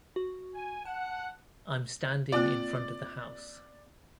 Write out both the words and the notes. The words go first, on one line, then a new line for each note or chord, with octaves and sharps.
I'm standing in front of the house.
F#4
G#5
F#5 A5
A#3 C4 F4 D5